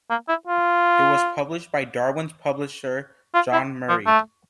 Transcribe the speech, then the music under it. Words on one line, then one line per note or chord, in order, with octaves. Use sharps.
It was published by Darwin's publisher John Murray.
A#3
E4
F4
F4
E4
F3
A3